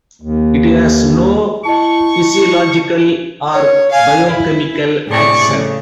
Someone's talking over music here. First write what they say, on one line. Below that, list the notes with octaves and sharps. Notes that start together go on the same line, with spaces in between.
It has no physiological or biochemical action.
D#2
E4 D#5 A5 C#6
C#5
F5 G#5
E4
A2 C3 G#4 D5 C#6
C#3 A3